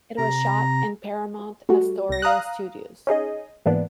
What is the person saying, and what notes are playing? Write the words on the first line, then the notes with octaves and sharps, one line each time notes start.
It was shot in Paramount Astoria studios.
C3 A#5
G3 A3 F#4
C2 A#6
F5 A#5 D#6 F#6
C#4 D#4 G#4 D#5
G#2 E3 A#3 B3 D4